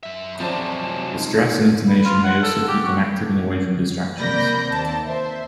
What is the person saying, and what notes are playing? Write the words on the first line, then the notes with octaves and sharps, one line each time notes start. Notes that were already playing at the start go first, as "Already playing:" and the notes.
The stress and intonation may also keep them active and away from distractions.
F#2 E5
F3 F#3 G#3 C4 C#4 C5 D5 A5
C3 F4
D#4
B4
F4
F#5
A4
G4
F#4
C3 A#3 D5 B5 G6 A#6
D#2 C4 D5 A5
C5 E5